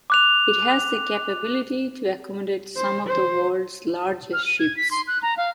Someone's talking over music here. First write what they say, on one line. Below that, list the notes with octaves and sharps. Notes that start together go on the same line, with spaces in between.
It has the capability to accommodate some of the world's largest ships.
D6 F#6 F7
C5
C5
F6
D#7
G#6
B6
C6
F#6
A#5
F5